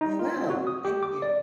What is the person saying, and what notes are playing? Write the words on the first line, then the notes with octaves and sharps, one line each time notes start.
I'm well, thank you.
D#4
F4
C4
F#4
D#6
G4
D6
D5